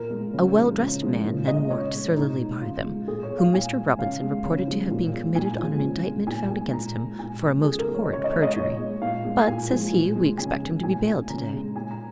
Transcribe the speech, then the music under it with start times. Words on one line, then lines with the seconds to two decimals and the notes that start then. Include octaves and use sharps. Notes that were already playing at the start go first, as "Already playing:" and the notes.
A well-drest man then walked surlily by them, whom Mr. Robinson reported to have been committed on an indictment found against him for a most horrid perjury; but, says he, we expect him to be bailed today.
Already playing: A#2 A#4
0.10 G#3
0.34 C#3
0.57 F3 G#3
0.79 C#3
1.02 F3 G#3
1.25 A#2
1.47 G#3 D#5
1.70 C#3 C#5
1.93 G#3
2.16 A#2 D#4
2.39 G#3
2.61 C#3 F4
2.84 G#3
3.07 A#2 G#4
3.23 C#5
3.30 G#3
3.38 F5
3.54 A#2 G#5
3.75 G#3
3.98 C#3 F5
4.21 G#3
4.45 C#3
4.67 F3 G#3
4.91 A#2
5.13 G#3
5.35 A#2 G#5
5.59 F3 G#3
5.82 C#3
6.05 G#3
6.27 A#2 G#5
6.51 G#3 G#5
6.73 A#2 A#5
6.96 G#3
7.19 A#2 G#5
7.42 F3 G#3
7.64 C#3 G#4
7.79 A#4
7.87 F3 G#3
7.95 C#5
8.04 D#5
8.10 C#3 C#5
8.24 D#5
8.33 G#3 C#5
8.42 D#5
8.52 A#2 C#5
8.78 G#3
9.02 A#2 F5
9.24 G#3
9.47 A#2 G#5
9.69 F3 G#3
9.93 A#2
10.15 G#3
10.38 C#3 G#5
10.61 G#3
10.83 A#2 G#5
11.06 G#3
11.29 C#3 A#5
11.53 G#3
11.76 A#2 G#5
11.91 A#5